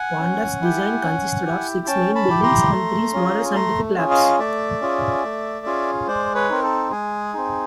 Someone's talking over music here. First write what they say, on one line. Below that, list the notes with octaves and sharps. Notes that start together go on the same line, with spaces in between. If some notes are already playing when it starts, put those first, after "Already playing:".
Ponder's design consisted of six main buildings and three smaller scientific labs.
Already playing: F#5 G#5
C#4
E4 G4
C#4
E4 G4
C#4 G5 A5
A5 B5
E4 G4
A#5 C6
A3
C#4 F4 G#4
A3 A#5 C6
C#4 F4 G#4
D#5 F5
A3 D5 E5
C#4 F4 G#4
A3
C#4 F4 G#4
G#3 C5 D5
B4 C#5
C4 D#4 A#4
A4
G#3 G#4
C4 D#4